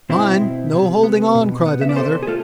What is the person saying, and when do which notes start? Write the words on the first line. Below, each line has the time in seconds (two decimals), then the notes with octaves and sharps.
"Mind, no holding on!" cried another.
0.10 B2 C4 E4
0.41 B2
0.73 C3
1.03 B3
1.35 B2
1.66 B3
1.81 E5
1.89 D5
1.96 C3 A4 C5
2.23 G#4
2.27 A3 F4 A4